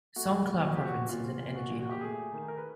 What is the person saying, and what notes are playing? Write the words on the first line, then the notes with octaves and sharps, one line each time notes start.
Songkhla Province is an energy hub.
A3 F#4
A#2
F#4
F3 G4
F#4
A#2 F4
A#2
F#4
A#2
F#4
G4
A3 G#4
D#3
A#4
B4